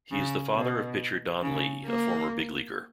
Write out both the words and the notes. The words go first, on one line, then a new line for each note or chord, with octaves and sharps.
He is the father of pitcher Don Lee, a former big leaguer.
C#3
B2
C#3
A#3